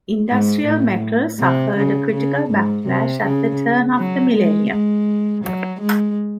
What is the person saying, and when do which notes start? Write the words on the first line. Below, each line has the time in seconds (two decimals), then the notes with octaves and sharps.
Industrial metal suffered a critical backlash at the turn of the millennium.
0.29 G#2
0.65 A2
1.39 C3
1.76 C#3
2.13 C#3
2.50 G#2
2.86 C3
3.24 C#3
3.97 F#3
4.34 G#3
4.71 G#3
5.44 F#3
5.81 G#3